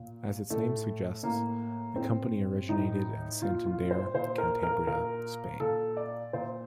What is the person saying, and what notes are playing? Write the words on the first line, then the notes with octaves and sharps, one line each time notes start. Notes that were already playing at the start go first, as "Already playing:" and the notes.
As its name suggests, the company originated in Santander, Cantabria, Spain.
Already playing: A#2
A2 A3
A2 A#3
A2 C4
A2 D#4
A#2 F4
F4
C5
A#2 C5
A#4
A#4
A#2 A#4
A#2 A4
D5
A#2 C5